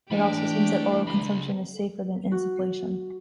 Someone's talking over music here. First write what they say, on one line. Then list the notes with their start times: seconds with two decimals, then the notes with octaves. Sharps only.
It also seems that oral consumption is safer than insufflation.
0.11 E3 A3 D4 G4 B5
1.07 C#2 B5
2.31 F#4